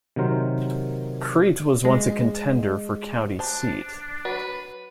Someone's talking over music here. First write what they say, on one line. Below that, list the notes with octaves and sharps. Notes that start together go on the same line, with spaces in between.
Crete was once a contender for county seat.
C3 D#3 F#3 A#4 C5
G#3
D4 C5 A5
F#3 B4